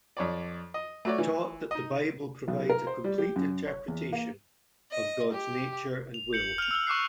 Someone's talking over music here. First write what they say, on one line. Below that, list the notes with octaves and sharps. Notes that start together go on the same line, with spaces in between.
He taught that the Bible provides a complete interpretation of God's nature and will.
F2 C#5 D5
D#5
A3 F#4 C#5 D5
E3
D#4 D#5
B1
A#4
C5
G3
G4
F#2
C#5
E2
A#3
D#5
G4
F7
G6 C#7 F#7
F6 F7
E6 F6
C#6 D6 F#6 C7